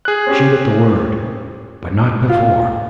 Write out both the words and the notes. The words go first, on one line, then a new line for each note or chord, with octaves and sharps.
Shoot at the word, but not before.
G#4 F#6
C4 C#4 G4
F4